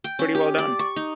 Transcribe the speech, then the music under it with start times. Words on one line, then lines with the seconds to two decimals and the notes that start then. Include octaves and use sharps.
Pretty well done!
0.04 G5
0.19 C#4
0.35 G4
0.58 D5
0.79 C#6
0.96 D#4